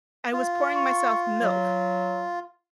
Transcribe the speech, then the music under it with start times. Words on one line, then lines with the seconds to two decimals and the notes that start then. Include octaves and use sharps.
I was pouring myself milk,
0.33 F4
0.75 C#6
1.41 F#3